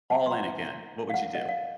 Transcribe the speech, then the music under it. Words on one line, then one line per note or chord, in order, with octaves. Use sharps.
all in again? What would you do?
F#5
C6
A#5
F5
F#5
D#5
F5